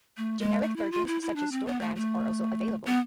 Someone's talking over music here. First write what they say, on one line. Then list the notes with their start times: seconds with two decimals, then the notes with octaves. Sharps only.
Generic versions, such as store brands, are also available.
0.17 A3
0.40 G#3
0.62 A3
0.76 E4
0.92 F4
1.07 E4
1.22 E4
1.36 D4
1.52 C4
1.67 B3
1.81 A3
1.96 A3
2.86 B3